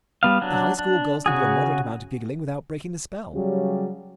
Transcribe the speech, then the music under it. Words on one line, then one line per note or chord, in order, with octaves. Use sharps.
The high-school girls can do a moderate amount of giggling without breaking the spell.
G3 B3 F5
F#3 D4
D4
C#3 F#4 G#4
C#3 F#3 G3